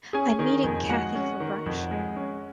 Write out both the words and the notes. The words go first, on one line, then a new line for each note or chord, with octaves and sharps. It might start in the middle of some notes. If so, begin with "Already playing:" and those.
I'm meeting Kathy for brunch.
C#4 G#4 G#5
D#3
F2
G#3 F#4 F#5
C#4
D#3
F2
G#3
C#4